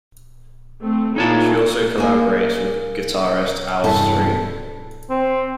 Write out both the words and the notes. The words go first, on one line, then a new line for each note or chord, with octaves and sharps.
She also collaborates with guitarist Al Street.
A3 C4
A#2 D#4 E4 G#4 C#5 A5
A#3 G#4
E2 G2 C3 G3 A4
C4